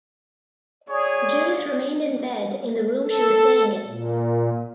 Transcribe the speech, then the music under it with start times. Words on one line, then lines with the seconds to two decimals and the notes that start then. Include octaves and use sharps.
Judith remained in bed in the room she was staying in.
0.89 G#4 C#5 D5
3.04 A4
3.87 A#2